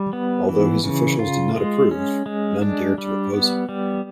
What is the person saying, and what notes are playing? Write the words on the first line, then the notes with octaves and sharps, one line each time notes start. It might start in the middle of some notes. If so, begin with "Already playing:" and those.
Although his officials did not approve, none dared to oppose him.
Already playing: G3
B3
E3
C#3
F4
G#3
C#4
G#3
D4
G3
B3
G3